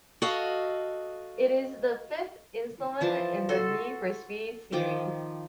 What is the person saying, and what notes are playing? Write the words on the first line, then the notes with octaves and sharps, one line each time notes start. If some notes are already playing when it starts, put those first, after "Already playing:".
It is the fifth installment in the "Need for Speed" series.
F#4 A4 D#5 F5
E3 F3 A5
F#4 A4 C6
D#3 F3 G5 D6